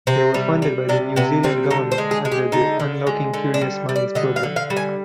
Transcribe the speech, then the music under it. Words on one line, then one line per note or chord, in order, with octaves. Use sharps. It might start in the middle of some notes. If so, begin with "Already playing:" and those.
They were funded by the New Zealand government under the Unlocking Curious Minds program.
C3 C4
G3
G3
C3 D4
C3 B3
G3 C4
D3 D#4
C5
G#3
G#4
G#3
G4
D3 D#4
D3
G#3
D3
D4
G3
G3
D5
D3 D#5
F5
D3
F5
G3
G#5